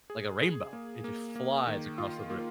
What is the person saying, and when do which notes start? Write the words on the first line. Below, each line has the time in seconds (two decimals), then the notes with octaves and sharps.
like a rainbow, it just flies across the room.
0.10 G#4
0.41 G#4
0.73 A#3
1.04 A#3
1.36 A#3
1.67 D#3
1.98 F4
2.30 A#3